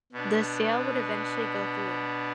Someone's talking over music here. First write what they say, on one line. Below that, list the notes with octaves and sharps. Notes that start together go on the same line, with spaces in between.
The sale would eventually go through.
B2 B3 D4